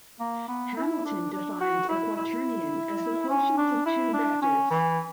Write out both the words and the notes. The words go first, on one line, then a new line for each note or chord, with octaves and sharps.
Hamilton defined a quaternion as the quotient of two vectors.
A#3
B3
E4
D4
D4
F#4
E4
E4
C#4
D4
E4
D4
C#4
E3